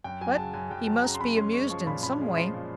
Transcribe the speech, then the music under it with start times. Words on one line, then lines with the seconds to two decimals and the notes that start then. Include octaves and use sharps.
But he must be amused in some way.
0.04 F#2 G5
0.21 F#3 G#5
0.37 C#3 A5
0.53 F#2 G#5
0.70 F#2 G5
0.87 F#3 A5
1.04 C#3 A#5
1.15 C6
1.20 F#2 B5
1.36 C#4 C6
1.53 G#3 C#6
1.70 F3 C#6
1.86 A#2 B5
2.03 C#4 B5
2.21 G#3
2.36 F3 C6
2.54 A#2